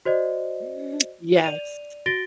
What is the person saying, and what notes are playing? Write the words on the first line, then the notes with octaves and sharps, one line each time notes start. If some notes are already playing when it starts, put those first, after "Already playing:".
Mm. Yes.
F#4 C5 D5 D#5
D5 D#7 F7
F#4 A6 A#6 D7 G7